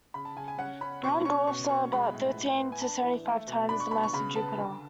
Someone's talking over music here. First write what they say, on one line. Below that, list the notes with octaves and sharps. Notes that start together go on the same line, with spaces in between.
Brown dwarfs are about thirteen to seventy-five times the mass of Jupiter.
C#3 B5
A5
C#3 G#5
G#5
C#4 F#5
C#4 B5
B2 C#6
C#4 C#6
B2 C#6
B2 C#6
G#3 B5
A2
B3
B3
G#5
D4 A5
E3
A3
B2
D4 B5
C#6
B2 B5
C#6
C#3 B5
B3 A5
D3